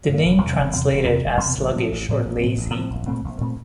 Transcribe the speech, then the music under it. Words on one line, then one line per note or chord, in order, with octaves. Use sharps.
The name translated as sluggish or lazy.
G2 F3 A#3
E1
E2 C3
E1
E2 C3
E1
E2 C3
E1
E2 C3
A1
A2 F3 C4
A1
A2 F3 C4
A1
A2 F3 C4
A1
A2 F3 C4
A#1
A#2 A3 C4
A#1
A#2 A3 C4